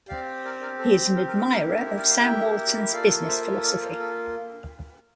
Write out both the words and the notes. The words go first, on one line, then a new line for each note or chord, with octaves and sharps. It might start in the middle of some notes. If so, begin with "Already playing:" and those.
He is an admirer of Sam Walton's business philosophy.
C4 G4 D5 F5
A#4 D5
A#4 D5
A4 C5
A#4
A#4
A#4
A#3 E4 G4 A#4
A4 C5
A#4 D5
D5 F5
E5 G5
A#3 F4 A4 D5 F5
C5 E5
A#4 D5
A4 C5
A4